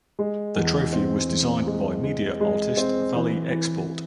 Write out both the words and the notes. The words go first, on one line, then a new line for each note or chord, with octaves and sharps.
The trophy was designed by media artist Valie Export.
G#3
E2
C4
E2
G#3
G#3
G#3
C4
E3
E3